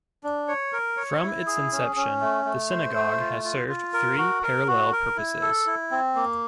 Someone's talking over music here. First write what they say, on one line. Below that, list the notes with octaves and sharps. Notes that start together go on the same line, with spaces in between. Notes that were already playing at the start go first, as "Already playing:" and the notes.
From its inception the synagogue has served three parallel purposes.
D4
C#5
A#4
C#5
E4
G#4
C#4
C#4
A3
A3
C5
A3
F4
F4
F4
A#4
F#4
A#4
F#4
A#4
E4
A4
E4
C4
A#3